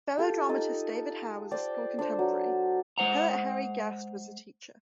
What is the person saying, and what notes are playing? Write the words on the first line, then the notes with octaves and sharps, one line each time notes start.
Fellow dramatist David Hare was a school contemporary; poet Harry Guest was a teacher.
F4 G4 A4
D#4 A4 D#5
C5 D5 G5 C6
D4 C5
F#3
G#3 C5 F#5 A#5